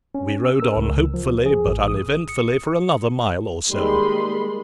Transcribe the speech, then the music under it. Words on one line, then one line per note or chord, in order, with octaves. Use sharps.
We rode on hopefully but uneventfully for another mile or so.
C#4
E6
A#4
C#2
F3
G#4
A1
D#6
C#7
D#3 G3 G#3 A#3 B5 C6